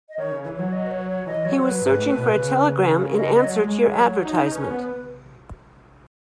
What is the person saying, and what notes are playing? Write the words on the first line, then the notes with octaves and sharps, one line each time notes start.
He was searching for a telegram in answer to your advertisement.
D#5
D#3 C#5
C#3
E3
F#3 C#5
D#5
B4
C#5
C#5
E3 D#5
F#3 C#5
F#3 B4
G#2
A2
B2
C#3
D#5
D#5
F#3 C#5
G#3
G#3
F#3
D#4
C#4 B4
B3